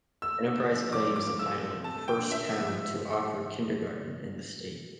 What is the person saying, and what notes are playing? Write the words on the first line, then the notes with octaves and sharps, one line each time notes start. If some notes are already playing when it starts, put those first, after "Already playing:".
Enterprise claims the title of the first town to offer kindergarten in the state.
A3 E6
G2
D4
F3
D4 D6
F3
D6
F4
A3 E6
F3
F2
A5
A3
G5
D3
C#4 E5
F3
F4